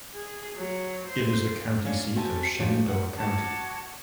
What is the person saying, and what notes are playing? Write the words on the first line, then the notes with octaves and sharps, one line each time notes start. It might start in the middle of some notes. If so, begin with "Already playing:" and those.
It is the county seat of Shenandoah County.
G#4
F#3
C5
A#3 C#4 D4 C#5
C4 F#4 G4 G#5 A5
F3 D4 D#4 F#4 G4
F#5
F#4 A5 D6 G#6